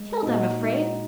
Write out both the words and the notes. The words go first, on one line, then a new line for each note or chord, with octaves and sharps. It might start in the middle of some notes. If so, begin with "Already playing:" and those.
Killed, I'm afraid!
Already playing: G#3
D#4
A#2 F#4
G#3 D#4